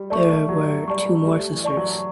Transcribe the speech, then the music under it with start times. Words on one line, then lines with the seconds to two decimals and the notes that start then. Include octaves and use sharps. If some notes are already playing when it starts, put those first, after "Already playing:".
There were two more sisters.
Already playing: G3 G4
0.10 A3 D5 A5 C#6
0.49 F#3 G4
0.88 G3 D5 A5 C#6
1.25 A3 G4
1.52 E3
1.65 D5 A5 C#6
1.77 F#3